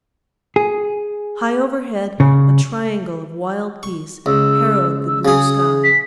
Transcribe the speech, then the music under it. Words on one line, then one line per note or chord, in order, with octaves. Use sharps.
High overhead a triangle of wild geese harrowed the blue sky.
G#4
C#3
C#6
C#2 E6
E6
C#3 G#4 D#6
B6